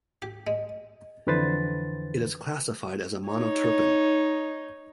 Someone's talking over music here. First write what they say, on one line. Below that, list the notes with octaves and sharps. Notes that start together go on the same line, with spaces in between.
It is classified as a monoterpene.
G4
G#3
F2 D3 E3 B4 C5 A6
D#4 C#5